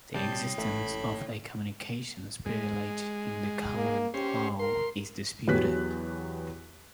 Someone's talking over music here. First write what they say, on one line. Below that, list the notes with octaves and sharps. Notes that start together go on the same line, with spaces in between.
The existence of a communications privilege in the common law is disputed.
C3 G3 C#5 D5 G5 A5 G6
A1 A3 B5
G#3
A#3
C#4 G4 C5
A#4 C6
E2 F#3 B3 G4 F#6 B6